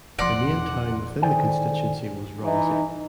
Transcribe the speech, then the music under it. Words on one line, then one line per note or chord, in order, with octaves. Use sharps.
The main town within the constituency was Romsey.
E1 F3 D5 F#5 C6 D6 A#6
D#3 A4 C5 D5 G5 G#5
E3 D#4